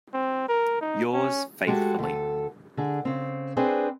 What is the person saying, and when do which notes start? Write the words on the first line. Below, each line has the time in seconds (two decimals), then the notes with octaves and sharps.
Yours faithfully.
0.13 C4
0.48 A#4
0.81 D#4
1.13 C#4
1.67 G#3 F#4 G4 A4
1.99 D2 A4
2.77 D3 G#4
3.05 C#3 C4
3.57 C4 D4 G#4 B4 C5